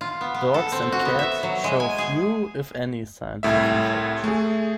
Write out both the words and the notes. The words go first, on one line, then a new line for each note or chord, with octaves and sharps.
Dogs and cats show few if any signs of infection.
F4
B3
B3
A4
C4
F#4
B3
E5
F#3
G#3
G#5
G#4
C2 A2 E5
A3 G#4